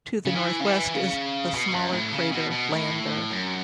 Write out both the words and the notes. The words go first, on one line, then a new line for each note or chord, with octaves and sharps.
To the northwest is the smaller crater Lander.
C#3
E3
C#3
E3
C#3
B2
F#2
A2
C#3
B2
B2
A2
F#2